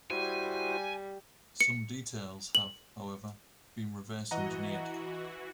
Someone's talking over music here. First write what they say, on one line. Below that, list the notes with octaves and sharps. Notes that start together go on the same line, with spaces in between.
Some details have, however, been reverse engineered.
G3 E4 F#4 C5 G#5
C#7
F#7
E3 F#4 D#5 F#5 A#5